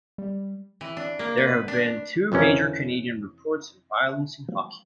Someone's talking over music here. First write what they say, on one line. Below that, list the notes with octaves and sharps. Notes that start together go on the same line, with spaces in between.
There have been two major Canadian reports on violence in hockey.
G3
E3
D4
A#3
B4
D4
F2 C3 E3 C#4 A#4